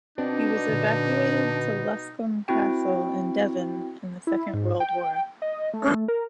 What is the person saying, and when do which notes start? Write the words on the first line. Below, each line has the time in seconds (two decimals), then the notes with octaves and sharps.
He was evacuated to Luscombe Castle in Devon in the Second World War.
0.18 B2 C4 D4 D#4
0.69 A#2 D3
2.48 C4 E4 F#4 G5
4.27 E4
4.54 G#2
4.80 G5
5.42 D#5
5.74 A3
6.08 A#4